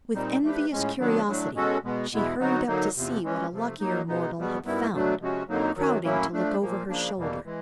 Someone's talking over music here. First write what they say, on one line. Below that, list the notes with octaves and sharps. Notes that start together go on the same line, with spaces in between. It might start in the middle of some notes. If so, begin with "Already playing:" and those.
With envious curiosity she hurried up to see what a luckier mortal had found, crowding to look over her shoulder.
A#2 G3 C4 D#4
F3 A3 D4 G4 B4
A2 F3 G#3 C#4
D#3 F#3 B3 D4
A2 F#3 A3 D4
B2 G#3 C#4 F#4 A4
B2 G#3 B3
E2 B2 G#3 B3 E4
D3 F#3 B3 D#4 F#4
D3 F#3 A#3 D#4
E2 C3 F3
E3 G#3 C#4
C3 F3 A3
F#3 A#3 D#4
B2 G#3 B3 D#4
E2 B2 G3 B3
F#2 D#3 G3 B3 E4
B2 F#3 A3 D4
C3 F3 G#3 C#4 F#4
F2 D3 F#3 A#3 D#4
F#2 D#3 F#3
A2 F#3 A#3 C#4 E4
F3 A3 D4
A#2 F3 A#3
C#3 F3 A#3 D4
E2 B2 G3 A#3
E3 G#3